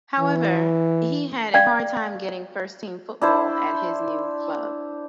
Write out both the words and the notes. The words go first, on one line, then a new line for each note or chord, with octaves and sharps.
However, he had a hard time getting first-team football at his new club.
E3
D5 F5 G5
D4 E4 C5